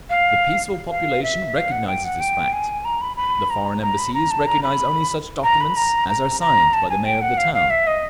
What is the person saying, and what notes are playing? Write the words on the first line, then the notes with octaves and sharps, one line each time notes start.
The peaceful population recognises this fact; the foreign Embassies recognise only such documents as are signed by the Mayor of the town.
F5
F5
E5
F5
F#5
G5
F#5
G5
G#5
A#5
B5
B5
A#5
A#5
B5
A#5
A5
A#5
B5
A#5
B5
A#5
A#5
A#5
A5
G#5
G5
F#5
F5
F5
E5
D#5